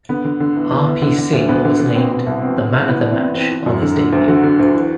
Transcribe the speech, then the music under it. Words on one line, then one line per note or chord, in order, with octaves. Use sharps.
R. P. Singh was named the Man of the Match, on his debut.
D3 B3
D3
D3
E2
E2
E2
D3
D3
D2
D2 B3
D3
D3
B2 C4
B2
C2
B2 C4
C2
C2
E3 B3
D4
E3
C4
E3 B3
E3 C4
E3
F#2
D3
D3
D2
D3 F#4
D3
D2
E3